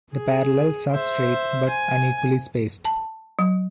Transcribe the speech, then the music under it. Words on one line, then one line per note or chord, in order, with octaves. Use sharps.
The parallels are straight but unequally spaced.
G#4
C5 E5
G#5
A5
F#3